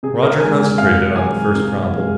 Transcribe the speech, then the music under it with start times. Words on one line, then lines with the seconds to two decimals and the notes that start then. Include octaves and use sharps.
Roger concentrated on the first problem.
0.03 C3 G#4
0.22 A#4
0.40 E3 G#3 G#5
0.60 G#5
0.78 C3 F5
1.16 E3 G#3 G#5
1.55 C3
1.91 E3 G#3